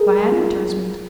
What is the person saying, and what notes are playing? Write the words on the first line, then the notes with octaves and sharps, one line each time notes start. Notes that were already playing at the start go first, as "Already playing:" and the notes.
"By advertisement."
Already playing: G#4 A#4
C4 F4